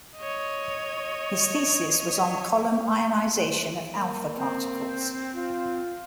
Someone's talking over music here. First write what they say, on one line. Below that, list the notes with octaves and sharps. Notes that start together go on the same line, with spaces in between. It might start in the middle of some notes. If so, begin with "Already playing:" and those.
His thesis was on column ionization of alpha particles.
C#5 D#5
A#3
C4
F4